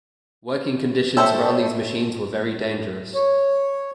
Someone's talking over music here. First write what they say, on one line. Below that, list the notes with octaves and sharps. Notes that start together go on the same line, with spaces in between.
Working conditions around these machines were very dangerous.
A4 C5 C#5 E5 G5 A5
C#5